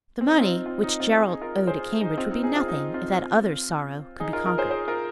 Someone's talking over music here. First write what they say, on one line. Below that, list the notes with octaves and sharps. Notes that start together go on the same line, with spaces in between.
The money which Gerald owed at Cambridge would be nothing if that other sorrow could be conquered.
C4
D#4
C4 F4
C4 F4
D#4
C4 F4
D#4 G#4
F4 A#4
G#4 C5
D#4 G#4
C4 F4
D#4
D#4 G#4
C4 F4
D#4
C4 F4
D#4 G#4
F4 A#4
F4 A#4
G#4 C5
G#4 C5
F4 A#4